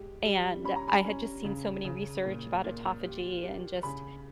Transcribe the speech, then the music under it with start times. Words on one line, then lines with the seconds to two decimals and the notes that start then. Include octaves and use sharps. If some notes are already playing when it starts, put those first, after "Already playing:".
And, I had just seen so many research about autophagy, and just
Already playing: G#3 G4
0.25 G3
0.65 C#4 B5
0.76 A#5
0.88 G#5 B5
1.05 C#4
1.44 C#3
1.85 C#3
2.25 A#2
2.64 A#2
3.04 G4
3.43 G4
3.83 C#3 G#5 B5